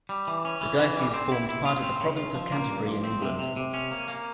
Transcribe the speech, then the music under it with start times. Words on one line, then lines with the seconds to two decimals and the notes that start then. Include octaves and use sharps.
The diocese forms part of the Province of Canterbury in England.
0.09 G3
0.27 E3
0.45 C#4
0.61 E3
0.79 E3
0.96 G3
1.14 C4
1.32 E4
1.49 E4
1.65 F4
1.82 C4
2.00 C#3
2.17 F4
2.35 F3
2.52 A#3
2.70 G2
2.87 F3
3.04 C4
3.22 C3
3.39 C3
3.56 C3
3.74 C#4
3.91 A#3
4.08 A#3